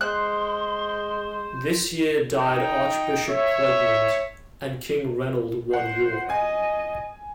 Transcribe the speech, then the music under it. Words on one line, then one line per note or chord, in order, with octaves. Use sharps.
This year died Archbishop Plegmund; and King Reynold won York.
G#3 C5 C6 F#6
D#4 G5
C#5 E5
C5 F#5
D#5 G#5